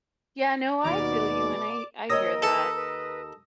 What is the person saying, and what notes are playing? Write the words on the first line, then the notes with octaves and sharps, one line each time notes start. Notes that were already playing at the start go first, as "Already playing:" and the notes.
Yeah, no I feel you, and I I hear that.
D#2 B2 D#3 D5 A#5 D6
D#2 A#4 C#5 D#5 D#6 E6 A#6
A4 B4
B4